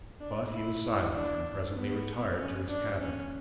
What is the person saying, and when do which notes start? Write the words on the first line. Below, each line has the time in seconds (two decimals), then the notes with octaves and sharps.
But he was silent and presently retired to his cabin.
0.20 D4
0.51 E4
1.12 D4
1.75 B3
2.36 C#4
2.68 D4
2.99 C#4